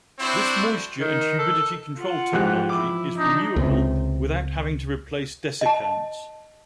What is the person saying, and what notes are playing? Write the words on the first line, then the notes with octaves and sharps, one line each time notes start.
This moisture and humidity control technology is renewable without having to replace desiccants.
C4 D4 E4 F#4 C5
D#3
A4
F4 F#5
G#2 E3 F3 G4 F#6
E4 D6
D4 D#4
C#2 C3
D#5 A5